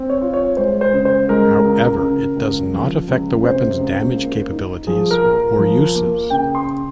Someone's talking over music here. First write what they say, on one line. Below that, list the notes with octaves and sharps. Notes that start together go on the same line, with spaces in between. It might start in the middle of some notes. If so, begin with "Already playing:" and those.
However, it does not affect the weapon's damage capabilities or uses.
Already playing: C4
C#5
F4
C#5
G#3 C5
C5
C#3
C5
G#3 A#4
C#2
C#3
C#2
F3
C#2
C3 C5
C#2
A#3
D#4
F3 G#4
A#4
A#2
A#4
F3
A#3
C#3 G5
C6